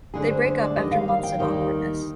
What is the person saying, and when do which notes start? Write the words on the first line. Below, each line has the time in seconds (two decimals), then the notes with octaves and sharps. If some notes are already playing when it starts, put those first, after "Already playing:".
They break up after months of awkwardness.
0.14 D2 D3 G#3 G#4
0.30 C5
0.45 C5
0.61 D5
0.76 D#2 D#3 G3 D#5
0.91 F5
1.08 F5
1.23 G5
1.39 D#2 D#3 G3 G5